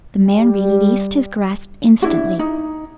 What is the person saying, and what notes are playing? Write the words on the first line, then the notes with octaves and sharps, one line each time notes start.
The man released his grasp instantly.
G3
D4 E4 F#4
D#4